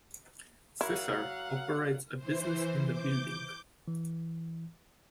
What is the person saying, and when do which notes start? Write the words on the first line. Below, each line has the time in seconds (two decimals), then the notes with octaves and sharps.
Fisher, operates a business in the building.
0.81 F#3 E4 A#4 F5 F#5
2.16 E3 C5
2.84 D6 G6
3.88 E3